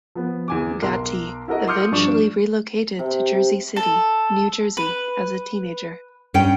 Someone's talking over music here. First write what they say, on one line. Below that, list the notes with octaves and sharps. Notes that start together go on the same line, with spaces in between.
Gatti eventually relocated to Jersey City, New Jersey as a teenager.
F3 B3
E2 G#5 D6
B1 A#4 C6
E4 F#4 A4 A#4 D#5
C6 D6 D#6 F6 G6 C#7
G2 F3 D4 C#6 E7
C3
A4
B4
G2 C#4 G5